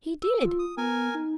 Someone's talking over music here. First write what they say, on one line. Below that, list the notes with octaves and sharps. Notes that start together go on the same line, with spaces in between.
"He did."
E6
F4
D#6
B3 A#4 G#5
D#4